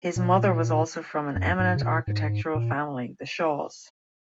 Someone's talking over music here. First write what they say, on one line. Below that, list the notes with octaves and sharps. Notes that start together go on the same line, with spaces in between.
His mother was also from an eminent architectural family, the Shaws.
A#2
F#2
G#2
C#3
A#2
G#2
A#2